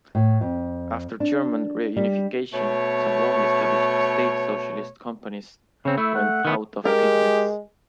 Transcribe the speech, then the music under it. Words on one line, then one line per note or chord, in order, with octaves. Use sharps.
After German reunification some long-established state socialist companies went out of business.
A2
F2
D4
G3
B2 A3 C#5
C#3 C4 C#5
A3 E4
F#5
D#3 B3
G#3 G4 A#4